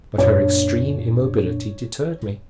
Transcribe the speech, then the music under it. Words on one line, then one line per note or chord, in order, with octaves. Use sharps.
But her extreme immobility deterred me.
F#2 A#2 D4 C#5